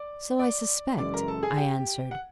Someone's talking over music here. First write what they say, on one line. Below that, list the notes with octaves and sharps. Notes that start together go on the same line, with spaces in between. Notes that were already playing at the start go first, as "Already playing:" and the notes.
'So I suspect,' I answered.
Already playing: D5 D6
D5 D6
F#2 C#3 E3 G#3 D5 D6
A#4 A#5
A4 A5
G#4 G#5
G4 G5
F#5